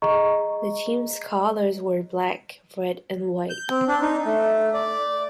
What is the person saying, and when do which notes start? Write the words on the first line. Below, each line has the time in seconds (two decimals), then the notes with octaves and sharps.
The team's colors were black, red and white.
0.02 G#4 D#5 A#5 C#6
3.50 G6
3.70 C4
3.88 D4
4.01 D#4
4.26 A3
4.73 D5